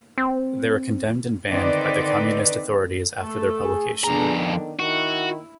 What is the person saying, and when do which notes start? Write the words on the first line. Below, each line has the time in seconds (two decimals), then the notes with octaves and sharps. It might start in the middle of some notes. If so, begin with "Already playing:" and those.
They were condemned and banned by the Communist authorities after their publication.
0.18 C4
1.52 D3 D#3 C4 D#4 B4 D5
3.20 A3 A4
3.65 G#4
4.04 F2 D3 B3 D4 G#4 A#5
4.37 D#3
4.80 D#3 E4 F#4